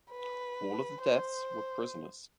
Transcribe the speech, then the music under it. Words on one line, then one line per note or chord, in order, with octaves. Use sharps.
All of the deaths were prisoners.
B4
C5